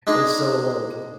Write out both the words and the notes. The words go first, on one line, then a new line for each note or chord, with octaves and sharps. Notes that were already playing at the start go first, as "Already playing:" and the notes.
and so, like,
G#3 D4 D#4 G#4